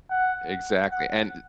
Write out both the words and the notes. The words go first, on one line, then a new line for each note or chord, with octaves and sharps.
Exactly. And i
F#5
F#5